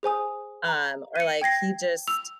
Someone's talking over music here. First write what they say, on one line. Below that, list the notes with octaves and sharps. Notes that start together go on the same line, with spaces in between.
um, or, like, he just
G#4 C5 G#5 D#6
A#5
C#7 D#7
G5 G#6 A#6 C7
E6 F7